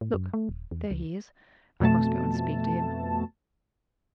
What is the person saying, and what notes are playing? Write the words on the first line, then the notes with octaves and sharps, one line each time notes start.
Look--there he is--I must go and speak to him.
A2
F#2
A3
D#1
E2
C#2
F2 B2 A3 A5